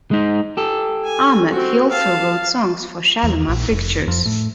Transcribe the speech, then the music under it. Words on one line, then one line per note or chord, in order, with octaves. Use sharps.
Ahmed, he also wrote songs for Shalimar Pictures.
G#3 D#4
G4 A4
G#5
C4 F#4
F5 A5
E2
A#1
F1
F2
A2